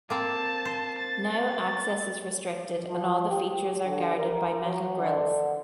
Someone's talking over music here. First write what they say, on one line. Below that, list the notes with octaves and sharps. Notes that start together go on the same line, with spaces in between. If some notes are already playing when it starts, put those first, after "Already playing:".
Now, access is restricted, and all the features are guarded by metal grilles.
A#3 C4 A5
C5
A6
F3
G4
D3
A#4
F#3
D3